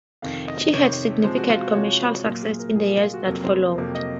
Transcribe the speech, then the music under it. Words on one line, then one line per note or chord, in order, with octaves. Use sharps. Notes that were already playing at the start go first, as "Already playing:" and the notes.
She had significant commercial success in the years that followed.
F2 C3 D#3 F5
D#5
F2 C3 D#3 C#5
C3 F3 G#3 C5
F#4
F4
F#4
C3 F3 G#3 C#5
C5
A#2 F#3 A#3 A#4
G#4
A#4
A#2 F#3 A#3 G#4
F4
F4
F#4
F2 C3 F#3 A#3 A#4
C5
F2 C3 F#3 A#3
D#5